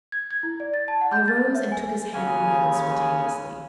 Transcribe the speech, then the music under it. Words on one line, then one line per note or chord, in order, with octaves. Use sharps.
I rose and took his hand in my own spontaneously.
G#6
G#6
E4
D5
A6
A5
F#5
G6
A6
E5
G#5
D#2 C#3 C#4 G#5